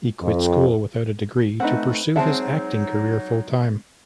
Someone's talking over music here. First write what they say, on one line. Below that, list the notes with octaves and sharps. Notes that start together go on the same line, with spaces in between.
He quit school without a degree to pursue his acting career full-time.
F2
A3 C4 D#4 B4 F#5
F#3 G#3 C4 D#4 E5 F#5 A5